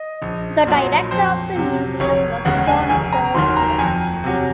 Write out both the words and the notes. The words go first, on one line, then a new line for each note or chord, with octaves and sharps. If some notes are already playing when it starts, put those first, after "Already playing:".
The director of the museum was John Forbes Watson.
Already playing: D#5
A#1
A#2 F#3
F2 C5
C3 F#3
F1 C#5
D#2 C#3 G#3 F#5
G#5
F1 G#5
A#5
D#2 D#3 F#3 C6
A#5
F2 G#5
C3 F#3